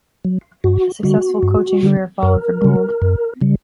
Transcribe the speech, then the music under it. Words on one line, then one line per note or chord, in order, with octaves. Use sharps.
A successful coaching career followed for Gould.
F#3
G2 F#4
D3 G3 F#4
G2
D3 G3
F#2 A#4
C#3 G3
F#2
C#3 G3